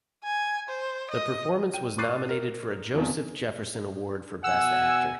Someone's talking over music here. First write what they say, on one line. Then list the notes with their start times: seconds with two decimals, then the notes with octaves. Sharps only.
The performance was nominated for a Joseph Jefferson Award for best actor.
0.24 G#5
0.70 C5
1.11 D#5
1.74 G5 D#7
1.98 C#6 D6 F#6 A6 C7 D#7
2.29 A#4
2.94 E2 C3 D#3 F3
4.44 B2 F#5 G#5 E6